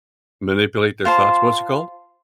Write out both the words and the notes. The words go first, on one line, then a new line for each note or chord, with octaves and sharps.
manipulate their thoughts. What's it called?
F4 C5 A5